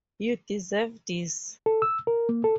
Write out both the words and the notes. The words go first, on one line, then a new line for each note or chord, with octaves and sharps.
You deserve this.
A4
E6
A#4
A#3
A4